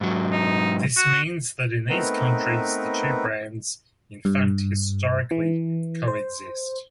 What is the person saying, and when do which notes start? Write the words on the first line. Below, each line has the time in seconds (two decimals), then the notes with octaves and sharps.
This means that in these countries the two brands in fact historically co-exist.
0.01 G#2 F#3
0.32 D#4
0.97 F#4
1.89 A3 B3 C4 D#4 A#4 B4
4.25 G2
5.31 E3
6.08 C5